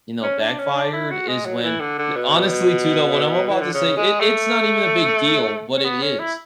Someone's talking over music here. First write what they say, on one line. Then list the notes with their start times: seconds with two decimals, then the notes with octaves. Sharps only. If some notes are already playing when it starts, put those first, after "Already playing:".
you know, backfired is when, eh honestly too, though, what I'm about to say, it it's not even a big deal what it is,
0.23 C#4
0.40 D4
0.58 C#4
0.75 D4
0.93 E4
1.11 F#4
1.28 G#3
1.46 F#3
1.63 E3
1.81 D3
1.98 D3
2.16 B2
3.50 E3
3.62 D3
3.74 C#3
3.97 G#3
4.20 A3
5.77 C#4
5.84 B3
6.02 C#4
6.19 E4